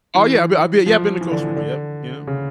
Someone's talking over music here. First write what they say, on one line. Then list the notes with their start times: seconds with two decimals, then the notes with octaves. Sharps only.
Oh, yeah, I've bee I've been yeah, I've been to Costa Rica. Yep, yeah.
0.15 E3
0.86 F3
1.21 E3
1.32 D3
1.44 E3
1.56 D3
2.27 C#3